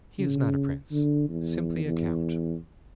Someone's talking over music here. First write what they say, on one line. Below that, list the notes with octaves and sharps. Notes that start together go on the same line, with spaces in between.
"He is not a prince; simply a count."
C#3
D3
E2
E2